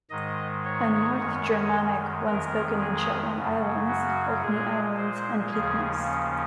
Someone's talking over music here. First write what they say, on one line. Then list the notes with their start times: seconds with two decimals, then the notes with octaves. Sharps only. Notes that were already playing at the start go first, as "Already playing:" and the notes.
A North Germanic once spoken in Shetland Islands, Orkney Islands and Caithness.
0.10 G#2 D#3 G#3 D#5
0.65 C#5
1.17 F#2 D#3 G#3
2.26 F2 D#3 G#3 A#4
2.81 G#4
3.34 F#2 C#3 F#3
3.88 F#4
4.42 A#2 G#3 G#4
4.96 C5
5.50 D#2 C#3 F3 G#4
6.05 C#4